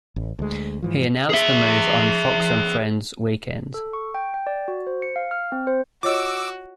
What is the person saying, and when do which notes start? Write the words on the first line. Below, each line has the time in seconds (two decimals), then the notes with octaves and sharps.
He announced the move on "Fox and Friends Weekend".
0.16 A1
0.39 D2 G#3
0.82 G#2 E3 F3
1.29 G#4 E5
3.74 A4
3.93 C#6
4.14 G5
4.34 G5
4.47 D5
4.68 F#4
4.87 C5
5.02 C#7
5.16 F5
5.31 F6
5.52 C4
5.67 C5
6.03 F4 F#4 C#5 D#5 D6 E6